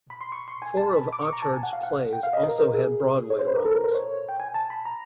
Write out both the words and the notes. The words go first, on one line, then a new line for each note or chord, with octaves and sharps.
Four of Achard's plays also had Broadway runs.
B5
C6
C#6
C6
G#5
A5
B5
D6
C#6
A#5
A5
G#5
F#5
F5
F#5
G5
F5
D#5
A#4
A#4
G#4
C#5
C5
B4
A#4
A4
A#4
C5
C#5
G5
G#5
A5
B5
A#5